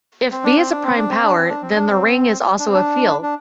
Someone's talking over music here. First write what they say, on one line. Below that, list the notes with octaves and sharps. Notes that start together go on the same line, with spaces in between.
If "b" is a prime power, then the ring is also a field.
C4
D4
C4
D4
C4
D4
C4
D4
C4
D4
C4
D4
C4
D4
C4
D4
D4